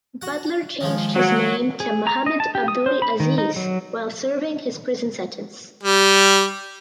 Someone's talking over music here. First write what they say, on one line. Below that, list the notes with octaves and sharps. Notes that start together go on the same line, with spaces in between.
Butler changed his name to Muhammad Abdul Aziz while serving his prison sentence.
F#4 F#5
D#3 F3 G#3
F#3
G#4
A#5
D#5
A5
G4
D#6
C5
B5
D#3
D#4
F#3
G3